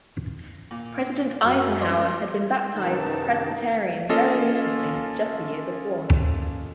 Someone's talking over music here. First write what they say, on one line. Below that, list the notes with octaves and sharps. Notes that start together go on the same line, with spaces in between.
President Eisenhower had been baptized a Presbyterian very recently, just a year before.
A#2
F#2 F6
D5 D#5 C6
F#2 C3 D#3 E3 D#4 A5
A#3 C#4 F4 A4 D#5 F5